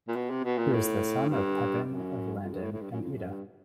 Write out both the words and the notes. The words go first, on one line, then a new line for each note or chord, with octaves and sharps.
He was the son of Pepin of Landen and Itta.
A#2
B2
C3
B2
A#2
A2
G2
F#2
F2
G2
A2
A2
G2
F#2
F2
F#2
G2